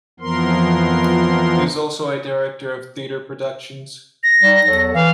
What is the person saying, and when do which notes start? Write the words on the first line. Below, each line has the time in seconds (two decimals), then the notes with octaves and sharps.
He is also a director of theater productions.
0.20 F2 E3 F3 B3 A#4 C6
4.24 A#6
4.42 G3 D#4
4.67 E2 F#3 A4
4.94 E3 F5